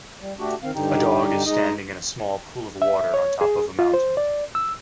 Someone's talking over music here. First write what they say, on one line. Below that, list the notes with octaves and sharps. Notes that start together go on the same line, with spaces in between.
A dog is standing in a small pool of water on top of a mountain.
G3
A3 D4 F#4 G4
D#3 C4 F5
G2 D3 D#4 G4
G#3 D#4 D#5
E5
C#5
G#4
F4
C5
D5
E6